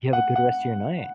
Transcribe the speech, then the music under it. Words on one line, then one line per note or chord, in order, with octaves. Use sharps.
You have a good rest of your night.
F#5
F#5